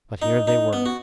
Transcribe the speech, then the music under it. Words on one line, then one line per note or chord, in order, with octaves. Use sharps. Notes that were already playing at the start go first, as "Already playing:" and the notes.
But here they were.
D#4
D#4
B3
F#4